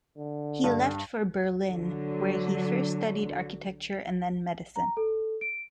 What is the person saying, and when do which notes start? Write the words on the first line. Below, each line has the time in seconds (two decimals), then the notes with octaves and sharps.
He left for Berlin, where he first studied architecture and then medicine.
0.18 D3
0.64 G2
1.70 D3 F#3
4.76 A#5
4.97 A4
5.41 D7